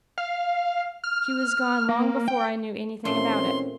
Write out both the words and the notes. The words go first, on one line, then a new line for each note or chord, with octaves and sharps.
She was gone long before I knew any thing about it.
F5
F6
A#3
G5
D#2 A#2 E3 A3 C4 C#4 C6